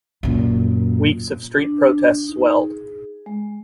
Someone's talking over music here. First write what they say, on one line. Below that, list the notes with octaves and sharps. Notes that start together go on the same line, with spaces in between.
Weeks of street protests swelled.
F#2 A#2
D4
D#4
G#4
G#3